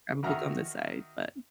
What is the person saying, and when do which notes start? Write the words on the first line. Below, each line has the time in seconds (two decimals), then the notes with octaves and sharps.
have a book on the side." But
0.23 D#3 D#4 F#4 E5 A#5 F6